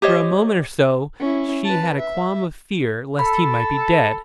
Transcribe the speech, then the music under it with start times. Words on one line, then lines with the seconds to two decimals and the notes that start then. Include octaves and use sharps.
For a moment or so she had a qualm of fear lest he might be dead.
0.02 G4 C5 C#5 D#5
1.20 C#4 E4
1.65 B4 A5
1.99 E5
3.19 A4 B5